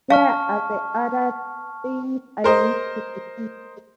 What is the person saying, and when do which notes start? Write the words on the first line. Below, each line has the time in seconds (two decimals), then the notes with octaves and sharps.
Here are the other things I used to deceive you.
0.10 F5 A5 C#6 F6
2.44 A#4 C5 D#5